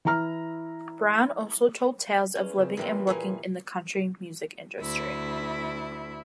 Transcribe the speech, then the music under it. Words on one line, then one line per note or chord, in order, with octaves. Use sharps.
Brown also told tales of living and working in the country music industry.
E3 E4 A#5 F6
E2 C#4
C#3 C4
A#1 E2 E3 G3 C4 A#4 B4
A#2 E3 A#3 G#5 B5
D2 E4